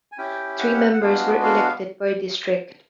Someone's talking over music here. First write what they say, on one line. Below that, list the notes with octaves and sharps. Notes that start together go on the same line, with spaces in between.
Three members were elected per district.
G#5
C#4 E4 G4 G5
F#5
G5
F#5
F#5
G#3 B3 D4 F#4 F5
F5